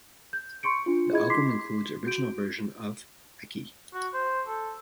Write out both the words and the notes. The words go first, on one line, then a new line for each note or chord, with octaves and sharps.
The album includes original version of "Eki".
G6
C6 C#6 C#7 D7
D4 F4
E4 G#4 D#5 B5 G#6
C6 D6 B6 C7
F#4 G6 D7
F#4
C5
A4